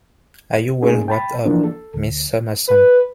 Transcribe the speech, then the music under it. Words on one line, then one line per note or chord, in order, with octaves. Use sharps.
Are you well wrapped up, Miss Summerson?
A3 A#3 C#4 D#4 G#4
G5 A5 B5
E3 F3 A#3 D4
A4
D2
B4